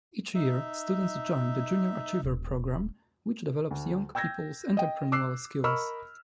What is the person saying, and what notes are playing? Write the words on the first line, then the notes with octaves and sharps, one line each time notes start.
Each year, students join the Junior Achiever programme which develops young peoples' entrepreneurial skills.
D#4 E5
D#1
D2
G5 E6 G6 G#6 A#6
D#5 G5
D6 E6 F#6 C7
A#4 D#5 B5 C#6 E6 F6